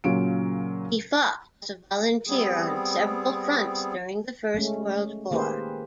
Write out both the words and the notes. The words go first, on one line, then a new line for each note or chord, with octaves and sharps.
He fought as a volunteer on several fronts during the First World War.
A#2 C#3 F#3 F4 D7
G3 B3 C4 G#4
G#3 A3 C#4
D#3 A#3 G4 G#4 B4 C5